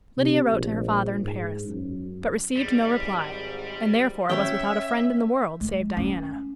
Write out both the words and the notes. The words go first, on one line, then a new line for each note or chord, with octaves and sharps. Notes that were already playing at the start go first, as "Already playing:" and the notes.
Lydia wrote to her father in Paris, but received no reply, and therefore was without a friend in the world save Diana.
C3
A#1
G#2
F#2
G#1 G#2 G3
C#4 C#5 E5 G5
G#3
C#4